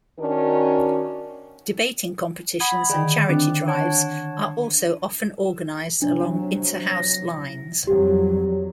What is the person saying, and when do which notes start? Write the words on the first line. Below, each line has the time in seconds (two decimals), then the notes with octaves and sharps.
Debating competitions and charity drives are also often organised along inter-house lines.
0.19 D#3 C#4 D4 F#4 A#4
2.60 F#5 B5 D#6 G#6
2.89 D3 D#3 G#4 G5
3.29 C4 D4
3.68 C#5 F#5 A5
6.02 C3 F#3 D4
6.88 A#6
7.87 F2 F#3 G3 G4